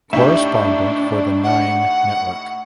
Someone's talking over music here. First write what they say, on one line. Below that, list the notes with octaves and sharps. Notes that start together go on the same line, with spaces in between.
Correspondent for the Nine Network.
A2 D4 D#4 G4 E5 F5
F#5